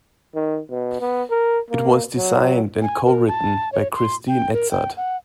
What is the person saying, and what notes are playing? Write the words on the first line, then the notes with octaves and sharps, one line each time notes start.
It was designed and co-written by Christine Edzard.
D#3
B2
B3
A#4
A#3
F#3
G#5
A#4
A5
C#5
C6
G5
A#4
G5
F#5